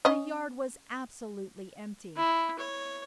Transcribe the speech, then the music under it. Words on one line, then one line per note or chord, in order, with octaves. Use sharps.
The yard was absolutely empty.
C#4 D#5
E4
C#5